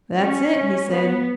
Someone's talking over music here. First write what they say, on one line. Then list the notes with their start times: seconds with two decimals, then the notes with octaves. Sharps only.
"That's it," he said.
0.21 C#4
0.90 B3